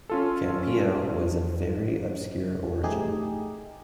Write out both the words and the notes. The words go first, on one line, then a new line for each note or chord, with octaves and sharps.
Campillo was of very obscure origin.
C#4 F4 A4
A3 D#4 G4 G#4